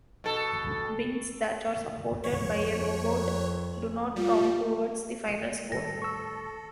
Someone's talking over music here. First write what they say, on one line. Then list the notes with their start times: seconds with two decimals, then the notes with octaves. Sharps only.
Bins that are supported by a robot do not count towards the final score.
0.24 B2 A4
2.23 F2 C#5
4.16 G3 F4
5.72 A2 D#3 G3 A4 A#6
6.02 C#6 E6